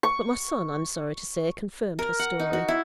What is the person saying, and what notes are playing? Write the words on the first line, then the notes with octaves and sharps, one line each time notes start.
But my son, I am sorry to say, confirmed her story.
C#6
A#4
F#5
D#4
F#4
E4